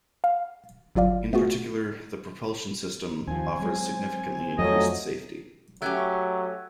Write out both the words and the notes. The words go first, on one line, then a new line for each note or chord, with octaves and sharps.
In particular, the propulsion system offers significantly increased safety.
F5
G1 F#3 F4 D5 F5
A3 B3 F4 F#4 G#4
D#2 F3 C4 G#5
F#3 G#3
F2 F3 F#3 A3 D#5
F#3 A3 C#4 G4 E6 F#6 G#6